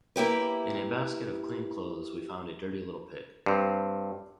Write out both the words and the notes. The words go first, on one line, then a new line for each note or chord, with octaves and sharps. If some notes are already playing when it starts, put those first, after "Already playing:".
In a basket of clean clothes we found a dirty little pig.
A#3 E4 G4 B4
G2 C4